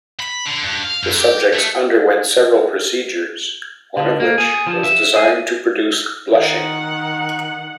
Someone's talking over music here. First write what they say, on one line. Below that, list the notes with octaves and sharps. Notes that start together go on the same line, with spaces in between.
The subjects underwent several procedures, one of which was designed to produce blushing.
B5
D3
G2
F5
F#2
G4
A3
D3
A#3
G#4
F3
E5
G#4
D#3 F#5